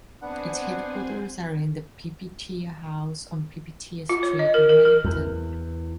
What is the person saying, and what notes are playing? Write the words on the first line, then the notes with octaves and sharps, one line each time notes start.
Its headquarters are in the Pipitea House on Pipitea Street in Wellington.
B3 C4 D4 C5 F#5 G#5
F4
C#5
D#5
A#4
A#4
A#4
E2